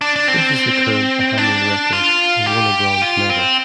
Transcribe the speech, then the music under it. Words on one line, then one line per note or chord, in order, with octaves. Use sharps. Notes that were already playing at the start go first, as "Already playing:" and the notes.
This is the current Bahamian record and won a bronze medal.
D4
D4
C4
D4
F4
G4
F4
C4